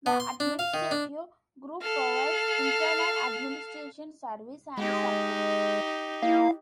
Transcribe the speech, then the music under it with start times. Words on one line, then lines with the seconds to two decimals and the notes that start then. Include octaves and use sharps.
The Administrative Group provides internal administration service and support.
0.06 B3
0.20 C6
0.40 D4
0.59 F5
0.74 D#3
0.91 D4
1.81 A4 F5
4.77 G#3 D#4 G4
6.23 A#3 E4 F5